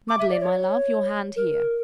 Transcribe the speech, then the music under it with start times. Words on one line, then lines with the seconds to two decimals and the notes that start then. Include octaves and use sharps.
Madeline, my love, your hand here.'
0.09 D6
0.19 E5
0.30 D5
0.41 C#5
1.36 A#4